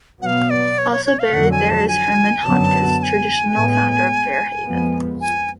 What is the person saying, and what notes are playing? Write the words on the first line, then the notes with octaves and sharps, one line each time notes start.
Also buried there is Herman Hotchkiss, traditional founder of Fair Haven.
B2 F#3 B3 F5 F#5
D5
C#5
C#5
C#5
F5
F2 D3 F#3 F#5
G#5
A5
G#5
F#2 D3 F#3 B3 A5
A5
G#5
A2 G#3 B3
F2 F3 G#3 B3
G#5